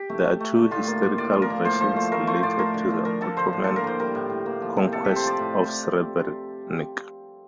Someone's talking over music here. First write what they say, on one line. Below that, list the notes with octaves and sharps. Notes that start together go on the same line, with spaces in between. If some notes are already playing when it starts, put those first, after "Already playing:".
There are two historical versions related to the Ottoman conquest of Srebrenik.
Already playing: G4
A3
A3
A3
D3
A2 F4
A#3
A2
A2 D5
F3
A#4
A#3
A2 C5
F3 C5
A3
A3 A#4
A3 C5
A2 D5
A3 A#4
D3
F3
F3 A#4
D3 A4
D3 C5
A2
A#3 A4
A#4
A2 C5
G3 A#4
A2
A2
A#3
F3
C3
C3 A4
C3 G4
C5
F3 D5
A2